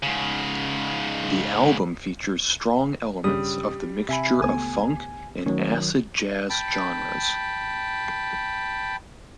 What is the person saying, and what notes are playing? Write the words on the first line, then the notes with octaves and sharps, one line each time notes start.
The album features strong elements of the mixture of funk and acid jazz genres.
G#2 C#3
G2 C#3 G3 D#6
C3 E5 G#5 B5
C#2 A3 B3 G#5
D#3 F#3 A3 C#4
G5 A5 B5